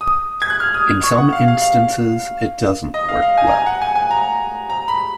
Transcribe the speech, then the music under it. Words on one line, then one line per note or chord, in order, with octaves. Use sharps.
In some instances it doesn't work well.
D#6
G#6
F#6
F6
D#6
C#6
F#5
F5
F5
F5
D#5
F5
F5
G#5
A#5
G#5
F#5
G#5
G#5
A#5
A#5
B5